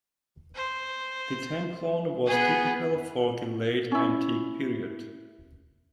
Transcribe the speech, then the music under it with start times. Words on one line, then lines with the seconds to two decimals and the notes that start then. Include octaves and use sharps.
The templon was typical for the Late Antique period.
0.55 C5
2.26 B3 G#4
3.92 C#4 E4